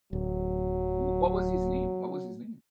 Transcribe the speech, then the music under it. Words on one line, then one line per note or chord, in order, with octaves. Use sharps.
W what was his name? What was his name?
D1 F#3